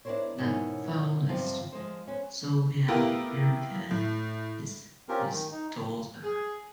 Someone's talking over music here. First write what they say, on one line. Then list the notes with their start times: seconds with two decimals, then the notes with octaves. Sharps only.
The violist Sophia Reuter is his daughter.
0.05 D4 E4 F#4 A#4 C5 C#5
0.38 G#2 B2 E3 C#4 A#4 C#5
1.29 G2 C3 F3 C4 F4 A5
1.72 F3 G#3 C5
2.07 C#4 B4 C5
2.88 A3 B3 E4 F4 G4 A#4
3.91 A2
5.09 C4 C#4 F4 G4 A#4
5.31 D#3
5.51 D#4
6.23 G#4